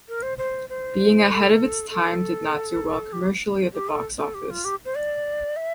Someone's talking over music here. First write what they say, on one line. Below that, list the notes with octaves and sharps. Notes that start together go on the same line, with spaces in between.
Being ahead of its time did not do well commercially at the box office.
A#4
C5
C5
C5
A4
A4
G4
G4
A4
A4
G4
F4
G4
C5
D5
E5